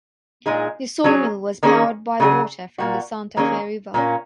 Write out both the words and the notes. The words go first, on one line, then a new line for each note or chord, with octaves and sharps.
The sawmill was powered by water from the Santa Fe River.
A#2 G#3 D#4 G#4
F#3 C#4 G#4
D#3 A#3 C#4 G#4
C#3 F#3 D#4 G#4
A#2 A#3 F#4
D#3 F#3 A#3 C#4 G#4
A#2 A#3 C#4